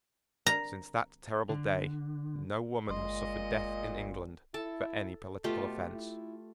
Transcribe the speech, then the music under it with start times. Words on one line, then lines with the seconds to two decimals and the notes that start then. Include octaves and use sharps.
Since that terrible day no woman has suffered death in England for any political offence.
0.47 A#5
1.49 D3
2.89 G1 A#2 G#3 D#5 C6
4.54 E4 A4 A5
5.44 B2 A3 F4 G4
5.93 E4